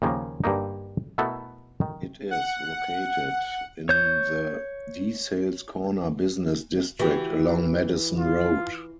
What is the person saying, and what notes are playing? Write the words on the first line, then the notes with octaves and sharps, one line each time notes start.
It is located in the DeSales Corner business district, along Madison Road.
D#2 C#3 F3 A#3
G2 D3 A#3 D#4
B2 A3 B3 E4 A4 A#4
D#3
F#5
C#5 G6
E3 F#4 G4
F4